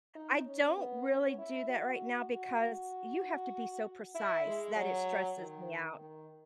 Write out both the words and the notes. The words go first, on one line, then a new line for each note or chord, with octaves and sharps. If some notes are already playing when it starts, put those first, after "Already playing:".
I don't really do that right now because you have to be so precise that it stresses me out.
D#4
C#4
B3
C#4
E4
F#4
F#4
F#4
E4
G#3
F#3
D#3
D#3